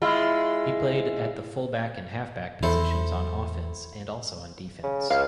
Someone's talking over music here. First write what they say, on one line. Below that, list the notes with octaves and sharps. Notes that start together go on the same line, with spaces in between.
He played at the fullback and halfback positions on offense and also on defense.
G#3 E4 F4
E2 E4 A4 C5
C#3
C#2 F5